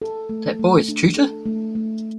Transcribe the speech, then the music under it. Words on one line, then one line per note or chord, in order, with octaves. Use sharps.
That boy's tutor?
A4
A3
A3
D4
A4
A3
A3